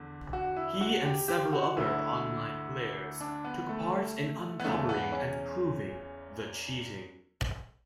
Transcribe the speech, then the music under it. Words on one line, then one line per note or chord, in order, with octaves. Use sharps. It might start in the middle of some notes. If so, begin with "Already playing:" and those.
He and several other online players took part in uncovering and proving the cheating.
Already playing: E2 D3
F#4
E4
F#4
G4
G4
F#4
D2 D3 E4
D4
B3
A3
B3
E2 C#3 E3 A3
A3
B3
C#4